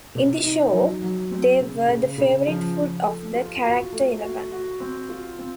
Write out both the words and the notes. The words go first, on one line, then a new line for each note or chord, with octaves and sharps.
In the show, they were the favorite food of the character Eleven.
C3
D#4
F#3
F#3
C4
C#3
C#3
C#3
F3
F3
A4
F4
F#4
A3
F#4
F#4
C4
F4
C4